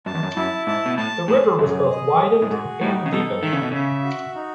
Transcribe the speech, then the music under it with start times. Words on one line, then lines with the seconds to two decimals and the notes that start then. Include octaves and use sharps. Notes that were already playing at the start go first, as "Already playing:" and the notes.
The river was both widened and deepened.
0.06 F#2 A5
0.15 E2
0.23 F#2
0.36 F#2 E4
0.67 G#2 A5
0.86 B2
0.97 A2 A5
1.28 A2 G#4
1.59 F#2 G#4
1.89 D#5
2.20 G#4
2.42 A2
2.51 G#2 F#4
2.81 A2 D#4
3.06 C#3
3.12 B2 A4
3.43 D#3 E5
3.53 C#3
3.62 B2
3.72 C#3 E5
4.04 F#4
4.35 D#4